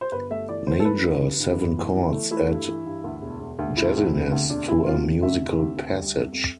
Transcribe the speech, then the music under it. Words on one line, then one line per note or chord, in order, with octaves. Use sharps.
Major seven chords add jazziness to a musical passage.
C5
G1 B4
A3 E5
E3 D5
E3 C5
A4
A3 B4
G2
G2
G2
G1
E3
E3
A3
A3 E4
G2
E3
G2
D2
E1
E1
D2
E1 E4
E1
C3
D2
E1 D4
D2 E4
C3 F4
D2
D2 E5
C3
D2
D2
G3
F2
F2